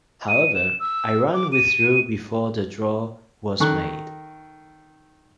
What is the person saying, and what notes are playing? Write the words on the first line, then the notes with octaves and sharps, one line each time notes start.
However, Iran withdrew before the draw was made.
D#7
E7
E6
D6
D#7
D#3 A4 C#6 F#6